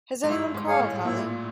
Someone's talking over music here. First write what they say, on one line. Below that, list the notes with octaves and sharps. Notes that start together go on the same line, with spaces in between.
Has any one called, Holly?
G#2
G2 E4
G#2
G#4 C#5 F5
A2
A#2 E4